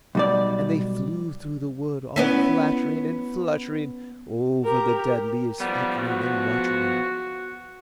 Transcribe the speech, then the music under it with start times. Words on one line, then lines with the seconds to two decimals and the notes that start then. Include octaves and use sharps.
And they flew through the wood all flattering and fluttering, Over the dead leaves flickering and muttering.
0.15 B1 G3 D5
2.16 B3 C#4 E4
4.64 G4 A#4
5.60 F3 G3 B3
5.98 F#4